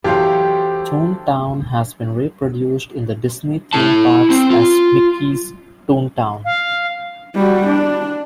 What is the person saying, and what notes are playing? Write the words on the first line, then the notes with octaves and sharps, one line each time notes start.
Toontown has been reproduced in the Disney theme parks as Mickey's Toontown.
E2 F#3 G4 A4 C5 F5 G5
E4 A5
C4
F4
F5
G3 F#4
D4